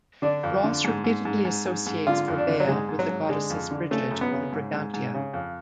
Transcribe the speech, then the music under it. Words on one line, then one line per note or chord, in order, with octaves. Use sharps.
Ross repeatedly associates Verbeia with the goddesses Brigid and Brigantia.
D3 D4
F2
D3
G#2
G#2
G#2
G#2
G#2
G#2
D3 F4
F2
D4
D3
F#3
G#2 G#3
G#2
F#3
G#2
D3 G#3
F2
D3
C#3 A3
F#2
B3
C#3
G#2
G#2
G#2
C#3
F2